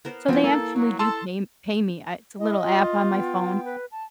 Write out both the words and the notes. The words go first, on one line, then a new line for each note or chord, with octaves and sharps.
So they actually do pay m pay me, I it's a little app on my phone,
B3 A#4 C5
F3 B3 C4 E4 G#5
A#3 A4
F#3 F#4
A4 A5 C6 E6
E4 D#5
F4
B3 G5
B4
A5